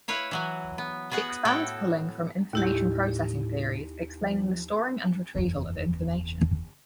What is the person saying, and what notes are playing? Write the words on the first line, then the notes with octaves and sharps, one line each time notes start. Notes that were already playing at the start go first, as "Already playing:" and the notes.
She expands pulling from Information processing theories explaining the storing and retrieval of information.
E4 B4 C#5 F5
E3 F#3 F#4
B3
B3 F#4 G#4 F#5
A2 E4 F#4 A4 G5
D#2 A2 E4 G4
F3
F#1 E2